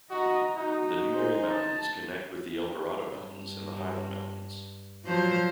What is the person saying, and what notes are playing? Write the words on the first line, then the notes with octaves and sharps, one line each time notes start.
The Newberry Mountains connect with the Eldorado Mountains and The Highland Mountains.
F#4 D#5 A#5
D#4 F#4
G#4 C5
A5
G2
F3 F#3 C5